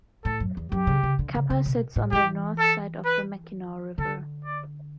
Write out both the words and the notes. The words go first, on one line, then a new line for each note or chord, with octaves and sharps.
Kappa sits on the north side of the Mackinaw River.
A2 A4
F#2
E2
F#2 G4
C#3
C#3
D3
C#3
C#3
B2
A2
E3 G4
A4
B4
D3 A4
D5